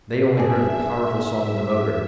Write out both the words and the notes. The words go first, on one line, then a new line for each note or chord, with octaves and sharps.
They only heard the powerful song of the motor.
D4 G#4 E5